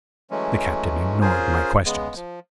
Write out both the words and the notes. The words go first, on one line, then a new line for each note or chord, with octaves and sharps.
The Captain ignored my questions.
E3 F#3 G#3 A3 C#4
C#4 F4 G#4 A#4 C5 G#5
C#3 G#3 B3
F3